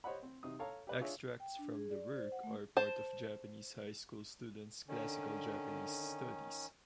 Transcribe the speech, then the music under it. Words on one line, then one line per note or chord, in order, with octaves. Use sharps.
Extracts from the work are part of Japanese high school students' classical Japanese studies.
G4 C5 C#5 D#5 F#5 B5
C4
C3 D#4 D#6
A4 C#5 F5 A5 A#5
G4 B4 D5
D4 F4 G#4 C#5 E5
G5
D4
G#4
D5
D5
C5
F#5
A3
C5 A5
D3 D#3 C#4